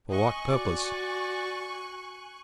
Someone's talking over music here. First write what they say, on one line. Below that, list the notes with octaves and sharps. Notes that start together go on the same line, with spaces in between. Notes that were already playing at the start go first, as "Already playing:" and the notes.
"For what purpose?"
D#5 G#5 C#6 F#6
F#4 D5